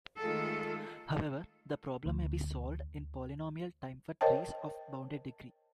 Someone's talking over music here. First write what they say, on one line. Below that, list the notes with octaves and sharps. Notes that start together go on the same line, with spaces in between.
However, the problem may be solved in polynomial time for trees of bounded degree.
D#3 G#3 A3 F4 G#4 A4
D2
A#4 C5 C#5 D#5 G5 A5